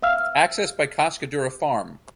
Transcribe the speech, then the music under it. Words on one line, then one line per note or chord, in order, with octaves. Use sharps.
Access by Cascadura Farm.
E5 F5 E6 F6